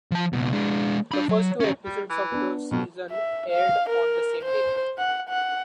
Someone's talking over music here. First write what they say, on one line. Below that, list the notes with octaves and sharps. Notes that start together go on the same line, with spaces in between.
The first two episodes of the season aired on the same day.
F3 A5
C#2 B2
G#3 D4
D4 B5
F#3
C#4 G4
G3
E3
B3 D4
F2 B2 F#3
E5
F5
A#4
C5
F#5
F#5